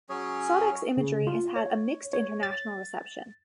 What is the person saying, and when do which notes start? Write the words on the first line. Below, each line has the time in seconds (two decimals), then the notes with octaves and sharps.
Saudek's imagery has had a mixed international reception.
0.09 F#3 C#4 G#4 C#5
0.97 C#3
1.27 F4
1.56 C#5
2.13 C#5
2.43 A6